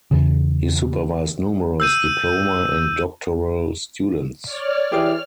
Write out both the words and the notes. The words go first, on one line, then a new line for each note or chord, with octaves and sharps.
He supervised numerous diploma and doctoral students.
E2 C#3
E6 G6 D#7
C#5 D5 F6
E3 G4 G#4 D5 F6